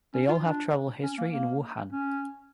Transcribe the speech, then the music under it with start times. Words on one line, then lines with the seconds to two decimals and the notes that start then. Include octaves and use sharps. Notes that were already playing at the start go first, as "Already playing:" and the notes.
They all have travel history in Wuhan.
0.14 C#4
0.29 F4
0.44 D4
1.03 C#4
1.18 A#3
1.33 A#3
1.92 C#4